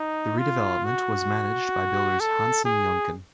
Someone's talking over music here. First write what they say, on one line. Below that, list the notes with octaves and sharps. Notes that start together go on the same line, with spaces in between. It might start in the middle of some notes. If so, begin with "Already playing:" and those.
The redevelopment was managed by builders Hansen Yuncken.
Already playing: D#4
F4
F#4
A4
G#4